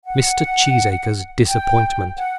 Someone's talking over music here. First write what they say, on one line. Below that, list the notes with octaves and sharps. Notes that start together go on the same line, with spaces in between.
Mr. Cheesacre's Disappointment.
F#5
G5
F#5